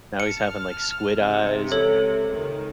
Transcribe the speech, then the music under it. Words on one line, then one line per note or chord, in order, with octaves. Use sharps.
now he's having, like, squid eyes, and
A5 F6 C#7
C#2 C3
A4 C#5
C#2 D#3